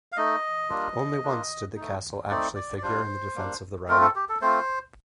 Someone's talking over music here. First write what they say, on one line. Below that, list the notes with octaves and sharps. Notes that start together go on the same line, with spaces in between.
Only once did the castle actually figure in the defence of the realm.
F5
A3 D#4 D#5
G3 A#3 D4 F4
A#3 D4 F4
A3 D#4
A3 C4 D#4 D5
D5
D5
G3 D4 F4 C5
G3 A#3 D4
A3 C4 F4 A#4
A4
G4
A4
A3 C4 F4 C5